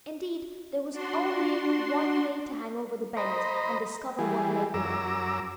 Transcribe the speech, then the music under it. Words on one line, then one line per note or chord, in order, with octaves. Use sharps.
Indeed, there was only one way, to hang over the bend and discover what lay below.
D4 F#4 C6
C5 D#5 A#5 B5
E3 G3 G#4
F#2 A#5 D6 E6